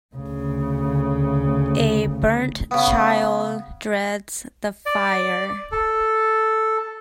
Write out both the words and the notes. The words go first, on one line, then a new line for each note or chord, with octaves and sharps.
A burnt child dreads the fire.
D2 C#3
C#3 B3
D5
A4